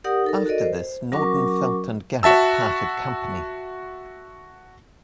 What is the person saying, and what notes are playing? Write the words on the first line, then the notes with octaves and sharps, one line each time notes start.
After this, Nordenfelt and Garrett parted company.
G4 A#4 D5 F#5 D#6
D#4 A4 A#4
F#4 A4 A#4 D5 D#5
C5
F#3 C#4 F#4 A#4 C#6 D6
F#4 E5 A5 E6